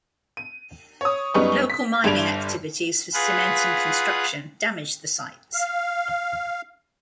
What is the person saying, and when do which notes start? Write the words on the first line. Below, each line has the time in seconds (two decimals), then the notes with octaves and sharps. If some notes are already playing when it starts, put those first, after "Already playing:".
Local mining activities for cement and construction damage the sites.
0.37 D#7
1.01 C#5 D#6
1.34 F#2 G3 B3 D#4 B4 C#6
1.70 B6
2.04 G1 G2 G3 G#6 D7 F7
3.14 F4 G#4 B4 F#5 B5
5.53 F5